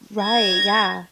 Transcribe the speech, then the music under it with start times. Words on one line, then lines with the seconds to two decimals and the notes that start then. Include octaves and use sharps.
Right, yeah.
0.22 G#6 A#6